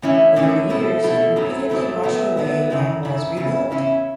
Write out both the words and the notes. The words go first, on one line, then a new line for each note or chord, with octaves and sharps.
Over the years, it repeatedly washed away and was rebuilt.
A2 E3 C#4 E4
A2 E3 C#4 E4
B2 A3 E4
B2 A3 E4
F#2 F#3 A3 E4
F#2 F#3 A3 E4
A2 F#3 B3 E4
A2 F#3 B3 E4
F#2 C#3 E4
F#2 C#3 E4
E2 C#3 C#4 E4
E2 C#3 C#4 E4